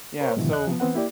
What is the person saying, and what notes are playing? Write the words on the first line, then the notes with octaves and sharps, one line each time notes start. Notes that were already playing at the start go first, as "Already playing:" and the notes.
Yeah, so
A#4 C5 C#5
G#2 B2 D3 D#3 F3 E4
E2 D#5 F#6
F3 B3
E3 B3 C4 B4 F#5
A#3 E4 G4 D5